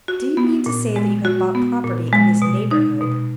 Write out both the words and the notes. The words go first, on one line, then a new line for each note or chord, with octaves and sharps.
"Do you mean to say that you have bought property in this neighbourhood?"
F#4
B3
A#2
G#3
F#4
B3
A#2
G#3
B2
D#4
B2